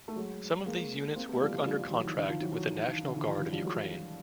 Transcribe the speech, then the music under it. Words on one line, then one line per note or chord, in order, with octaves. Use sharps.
Some of these units work under contract with the National Guard of Ukraine.
A3
F#3 G#3
G#3 A#3
A#3 C4
A3 B3
F3 G3
F3 G3
F3 G3
F3 G3
E3 F#3
D#3
D3 E3
D#3 F3
E3 F#3
E3 F#3
D#3
D#3
D3
D3 E3
D#3 F3
E3 F#3
F3 G3
F#3 G#3